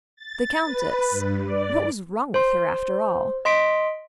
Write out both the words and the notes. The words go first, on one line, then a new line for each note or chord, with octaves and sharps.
The Countess--what was wrong with her, after all?
A6
B4
G2
D5
C5 C6
D#5 C6 B6 D7